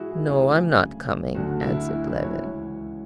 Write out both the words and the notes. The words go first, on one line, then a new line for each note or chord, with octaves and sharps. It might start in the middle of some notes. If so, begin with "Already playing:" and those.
"No, I'm not coming," answered Levin.
Already playing: G#2 E3 E4 F#4 G#4
G#4
D2 C#3 F#3 G#4
D2 D3 F#3 F#4
E4
E4
E4
C#5
C#2 C#3 E3